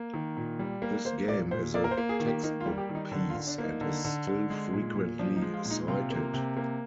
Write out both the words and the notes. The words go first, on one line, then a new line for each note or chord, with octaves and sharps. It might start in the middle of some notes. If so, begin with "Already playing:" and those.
This game is a textbook piece and is still frequently cited.
Already playing: A#3
D#3
A#2
G3
A#3
A#3 C5
A#2 D5
A#2 C5
A#3 D5
A#4
C5
A#3
G#4
D#3
G4
A#3 D#4
F4
G3
G4
D#3
D#4
D3 D4
F4
D3
D4
A#3
D#4
D3
D3
D3
G#3
A#2
A#2
F3 D4
D#4
G#3
F4
A#2
D#4
C3 F4
A#3
C3
A#3